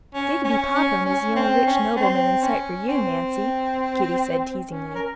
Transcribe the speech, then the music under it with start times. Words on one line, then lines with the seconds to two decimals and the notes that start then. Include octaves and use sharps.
"Digby Popham is the only rich nobleman in sight for you, Nancy!" Kitty said teasingly.
0.14 C#4
0.44 C#4
0.75 C#4
1.05 C#4
1.36 C4
1.67 C#4
1.96 C4
2.43 C#4
2.88 C4
4.70 C#4
4.95 A#4